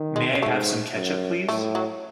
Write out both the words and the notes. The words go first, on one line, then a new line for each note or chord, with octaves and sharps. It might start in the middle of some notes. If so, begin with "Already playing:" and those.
May I have some ketchup, "please"?
Already playing: D#3
G#3
G#2 A3
F#2
A2 A3
F#3